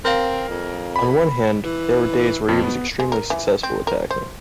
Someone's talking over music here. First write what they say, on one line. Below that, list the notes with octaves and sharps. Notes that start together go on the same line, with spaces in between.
On one hand, there were days when he was extremely successful attacking.
C4 A#4 F5
F2
B5
E3
F2 B2
B3
G#3
A#4
E3
C4
A#4
C5